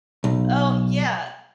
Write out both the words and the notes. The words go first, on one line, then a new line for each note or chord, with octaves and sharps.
Oh, yeah.
B1